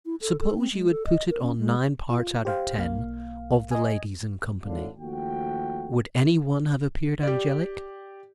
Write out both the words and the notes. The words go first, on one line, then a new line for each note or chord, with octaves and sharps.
Suppose you had put it on nine parts out of ten of the ladies in company, would any one have appeared angelic?
E4
A4
A4
C4
G#3
A4
D#5
A#4
C#4
G#3
F4
G4 C5 F5 G5
B1 A#3 F5
D#5 G#5
G#1 D2 A2 D3 D4 F5
D#2 F3 A3 F#4 G5
G4 D5